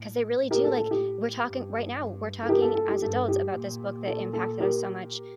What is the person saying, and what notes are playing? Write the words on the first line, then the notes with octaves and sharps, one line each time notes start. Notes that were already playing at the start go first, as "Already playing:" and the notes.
'cause they really do, like we're talking right now, we're talking as adults about this book that impacted us so much
Already playing: A2
A2
G4 A#4
A4
A4
G4
G2
A4
G4 A#4
A4
A4
G4
G2 A4
G4
A#2
A4
A4
G4 A#4